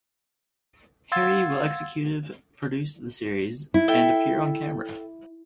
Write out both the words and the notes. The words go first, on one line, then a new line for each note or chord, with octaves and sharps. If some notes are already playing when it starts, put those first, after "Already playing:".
Harry will executive produce the series and appear on camera.
F5 F#5 C6 E6 G#6 A6
E4
A4 E5 G5